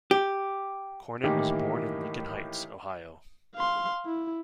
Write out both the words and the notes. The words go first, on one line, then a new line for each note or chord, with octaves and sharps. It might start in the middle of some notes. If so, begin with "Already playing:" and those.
Cornett was born in Lincoln Heights, Ohio.
G4
A2 D#3 E3 A#3 D#4 G4
F5 C6
E4